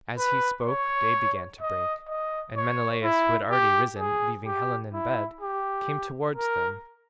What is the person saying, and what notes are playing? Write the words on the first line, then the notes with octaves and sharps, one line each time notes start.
As he spoke day began to break, and Menelaus, who had already risen, leaving Helen in bed, came towards them.
B4
C#5
D#5
D#5
C#5
E4
G4
G#4
G4
E4
G4
A#4